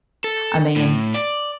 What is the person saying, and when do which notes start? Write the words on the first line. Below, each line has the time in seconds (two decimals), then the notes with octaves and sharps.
I mean,
0.24 A4
0.76 A2
1.14 D5